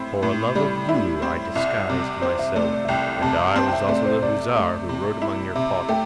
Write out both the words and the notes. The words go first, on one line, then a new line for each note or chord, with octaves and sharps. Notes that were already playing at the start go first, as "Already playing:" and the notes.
For love of you I disguised myself; and I was also the Hussar who rode among your pots.
Already playing: A2 C4 E4
A2
G3
E4
C4
C2 E5
C3
C4 C5
E5
A3 D5
D5
E5
C2 G5
G5
C3 A5
C4 A5
G5
E5
A3 D5
C5
C3 D5
A3
C3
E4
C3 E5
A3 G5